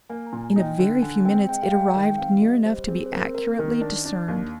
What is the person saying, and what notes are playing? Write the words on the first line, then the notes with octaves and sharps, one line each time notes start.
In a very few minutes it arrived near enough to be accurately discerned.
A#3 G#5
A#5
A#2
G#5
D#4
G5
D3
D3 G#5
C4 G5
G#3 G5
F5
G#3 G5
D#3 G5
C4 F5
G3 D#5
G3 C5
C4 G#4
C5
C4 A#4
C4 A#4
D#3
D4
D4
D#2